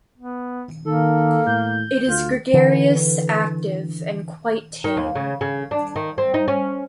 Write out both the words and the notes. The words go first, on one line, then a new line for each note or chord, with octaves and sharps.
It is gregarious, active and quite tame.
B3
D#3 A#3 A4
A2 G6
D2 F4
D3 E3
D#3
D#2
C#3
C#3
D4
D#3
C4
D#4
C#4